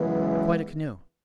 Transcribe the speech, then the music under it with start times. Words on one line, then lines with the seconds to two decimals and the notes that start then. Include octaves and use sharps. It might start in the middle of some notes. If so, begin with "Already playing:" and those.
"Quite a canoe."
Already playing: F#2 C#3 E3 G#3 B3